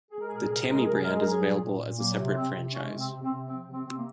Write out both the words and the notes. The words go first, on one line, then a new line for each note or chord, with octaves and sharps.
The Tammy brand is available as a separate franchise.
G#3 G#4
A#4
A#2 G#4
A#4
G#4
C3 A#4
G#4
G#3 A#4
G#4
C3 A#4
G#4
G#3 A#4
G#4
A#4
F#3
G#4
A#2
A#2
A#2
F#3 A#3
C3
C3 C4
C3
G#3 C#4
C3
C4
C3
C4
C3
F3 C4
C3
C4
C3 C4
A#3